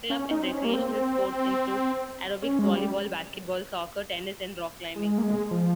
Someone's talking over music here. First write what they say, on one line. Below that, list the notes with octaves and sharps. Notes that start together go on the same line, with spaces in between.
Club and recreational sports include aerobics, volleyball, basketball, soccer, tennis and rock climbing.
C#4
D#4
C4
C#4
A#3
C4
C#4
G#3
G3
G#3
A#3
G#3
F3